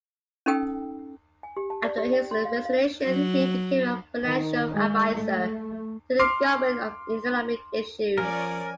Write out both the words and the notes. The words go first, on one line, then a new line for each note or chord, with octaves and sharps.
After his resignation he became a financial advisor to the government on economic issues.
C#4 D#4 A4 G5 E6
G#5
G4
A5
D5
G4
G5
C6
F5
F5
F#3
D#3
G#3
A3
C6 D6 F6 C7
F3 C#4 A#4 C#5 D5 G#5